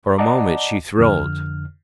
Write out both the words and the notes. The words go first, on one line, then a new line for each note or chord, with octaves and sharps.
For a moment she thrilled.
D5 D#5 F#5 A5 A#5 D6
F2 D3 F6